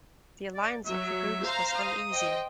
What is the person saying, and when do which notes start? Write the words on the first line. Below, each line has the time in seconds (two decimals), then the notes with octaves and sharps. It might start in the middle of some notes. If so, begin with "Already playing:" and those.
The alliance of the groups was uneasy.
0.54 D5
0.86 F#3 E5
1.43 C5 F5 A#5
1.75 D#6
2.12 C5 D#5 G5